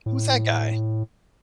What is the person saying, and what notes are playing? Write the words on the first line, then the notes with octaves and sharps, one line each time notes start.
"Who's that guy?"
A2